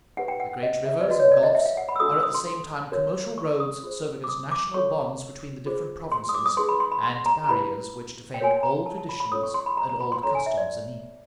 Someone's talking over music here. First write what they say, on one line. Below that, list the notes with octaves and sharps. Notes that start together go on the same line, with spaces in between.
The great rivers and gulfs are at the same time commercial roads serving as national bonds between the different provinces, and barriers which defend old traditions and old customs in each.
D#4 G4 B4 F#5
G5
F#5
D#5
E5
D5
F#4 B4 D#5
C#5
D5
D#5
E5
F5
F#5
B5
E6
D4 F#4 A4 D#6
E6
D#6
C6
C#4 F#4 A#4 C#5
C#6
D#6
F4 G#4 C5
D6
D#6
D6
C#4 F#4 A4 C#5 C#6
F4 G#4 C5
C6
D#6
D6
D#6
D#4 G#4 B4 C6
B5
C6
B5
C6
A#5
A#5
E4 G4 B4 B5
G5
F#4 A#4 C#5 G#5
A5
A#5
A5
A5
B5
B5
C#4 F4 A4 C#5 D#6
C#6
C6
B5
A#5
A#5
B5
C6
D#4 F#4 A4 C#5 A#5
G#5
E5
D5